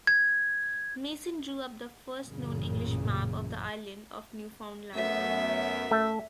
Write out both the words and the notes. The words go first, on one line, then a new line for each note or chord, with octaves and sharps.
Mason drew up the first known English map of the island of Newfoundland.
G#6
A1 F#2 A#2 C#3
F#2 A3 B3 E5
A3